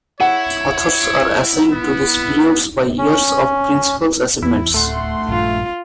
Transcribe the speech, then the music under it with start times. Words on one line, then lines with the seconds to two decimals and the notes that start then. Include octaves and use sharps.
Authors are assigned to these periods by years of principal achievements.
0.20 E4 C#5 F#5
1.72 B3
2.98 C#4
4.43 E2 E4
4.74 D1 A3 F#5 C6
5.29 A#1 G2 F4